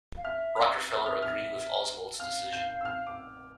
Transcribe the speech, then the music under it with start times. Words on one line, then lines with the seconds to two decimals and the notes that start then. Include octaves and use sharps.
Rockefeller agreed with Oswald's decision.
0.17 F5
0.24 E5 F6
0.57 F6
0.89 E5 E6
1.06 F6
1.22 F6
2.19 F5 F6
2.53 G6
2.81 E6
2.85 F6
3.07 D6